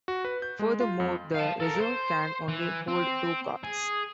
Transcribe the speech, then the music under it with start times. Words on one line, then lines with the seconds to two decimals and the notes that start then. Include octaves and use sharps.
Furthermore, the reserve can only hold two cards.
0.08 F#4
0.25 B4
0.42 G6
0.59 G#3
0.80 F4
1.00 F2
1.34 F5 A5
1.60 A4 A#4
1.81 C5
2.48 E3
2.88 C4
3.64 G#4